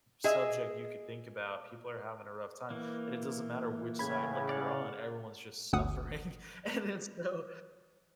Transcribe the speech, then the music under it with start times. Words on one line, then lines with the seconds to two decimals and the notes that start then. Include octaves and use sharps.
subject you could think about, people are having a rough time, and it doesn't matter which side, like, you're on, everyone's just suffering, and it's so
0.24 G#4 D#5 E5
2.70 E3 A#3
3.99 A2 C#3 B5 G#6
4.49 D5 F5 F#5
5.73 G1 D2 F#5 D#6